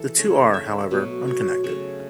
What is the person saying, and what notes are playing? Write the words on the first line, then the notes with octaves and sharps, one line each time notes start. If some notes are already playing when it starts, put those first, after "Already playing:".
The two are, however, unconnected.
Already playing: E3 E4 A4
C#3 A3 C#5
E5
B2 F#3 A3
C#5
C#3 F#3 A3 C#5